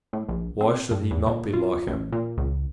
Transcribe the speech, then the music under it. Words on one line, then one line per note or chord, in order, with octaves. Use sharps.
Why should he not be like him?
A2
A#1
C4
G2
E2
A#2
F4
A1
A#2
C#2